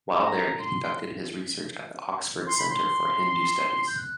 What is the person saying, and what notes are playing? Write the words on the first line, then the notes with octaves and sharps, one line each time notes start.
While there, he conducted his research at the Oxford Centre for Hindu Studies.
A#5
C6
C6
B5
C6
G6
F#6